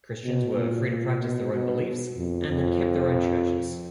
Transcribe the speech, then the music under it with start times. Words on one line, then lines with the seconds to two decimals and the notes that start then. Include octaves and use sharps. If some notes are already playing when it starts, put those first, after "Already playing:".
Christians were free to practice their own beliefs, and had kept their own churches.
0.24 B2
0.56 A#2
0.89 A#2
1.21 B2
1.52 B2
2.17 F2
2.49 F2